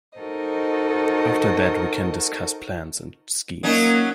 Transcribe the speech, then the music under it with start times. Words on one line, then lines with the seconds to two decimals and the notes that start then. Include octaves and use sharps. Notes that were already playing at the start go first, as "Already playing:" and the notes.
After that we can discuss plans and schemes.
0.19 D#4 F#4 A4 A#4 C5 D#5
3.63 F#3 A#3 C#4 D#4